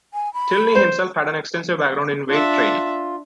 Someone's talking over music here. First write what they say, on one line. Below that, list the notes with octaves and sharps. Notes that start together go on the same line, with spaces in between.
Tilney himself had an extensive background in weight training.
G#5
B5
C5
D4 F4 E5